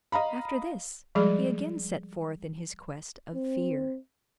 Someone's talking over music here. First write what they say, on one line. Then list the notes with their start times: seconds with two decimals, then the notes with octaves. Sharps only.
After this, he again set forth in his quest of fear.
0.12 D#5 F5 A#5 B5
1.15 F3 G3 G#3 G#4 D5 B5
3.34 C4